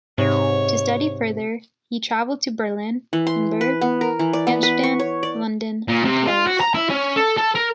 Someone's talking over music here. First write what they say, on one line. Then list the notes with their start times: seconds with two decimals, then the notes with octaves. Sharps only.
To study further he travelled to Berlin, Hamburg, Amsterdam, London and Paris.
0.18 G#2 C3 C#5
3.13 E3
3.27 C6
3.61 B4
3.81 B3
4.01 A#4
4.19 E3
4.33 D5
4.47 B3
4.63 B4
4.83 C#6
4.99 C#5
5.23 D5
5.88 A#2
6.05 C3
6.27 F4
6.47 F#4
6.60 A#5
6.74 E4
6.90 C#4
7.16 A4
7.37 A4
7.55 A#4